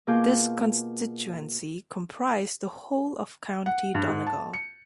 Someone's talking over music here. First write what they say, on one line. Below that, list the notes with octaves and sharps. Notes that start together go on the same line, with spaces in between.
This constituency comprised the whole of County Donegal.
B2 A#3 F4 G#4 D6 G6
F#5
G2
G#2
A5
C#7